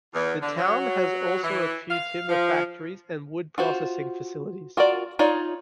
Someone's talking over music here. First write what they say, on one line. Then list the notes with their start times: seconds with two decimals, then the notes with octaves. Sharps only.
The town has also a few timber factories and wood processing facilities.
0.14 E2
0.42 D3
0.58 F#3
1.43 E3
1.90 F5
2.29 F3
3.58 F4 F#4 C5
4.77 F4 F#4 A#4 D5
5.19 D#4 F4 C#5 D5